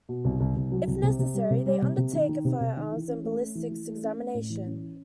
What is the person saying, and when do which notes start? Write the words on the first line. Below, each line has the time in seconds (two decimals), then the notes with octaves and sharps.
If necessary, they undertake a firearms and ballistics examination.
0.09 B2
0.25 C2
0.40 C2
0.56 C2
0.72 F#3
0.87 C2
1.03 C3
1.19 C3
1.34 G3
1.50 C3
1.66 G3
1.82 C3
1.98 C3
2.13 D#3
2.29 D#3
2.45 C3
2.61 C3
2.77 D#3
2.92 E3
3.08 C#4
3.24 A3
3.40 A3
3.55 E3
3.71 E3
3.87 A3
4.03 C#4
4.19 A3
4.34 A2
4.50 E3
4.66 C#4